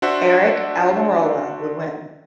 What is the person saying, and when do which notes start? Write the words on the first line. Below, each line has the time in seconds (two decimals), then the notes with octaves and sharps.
Aric Almirola would win.
0.02 D4 F#4 C5 E5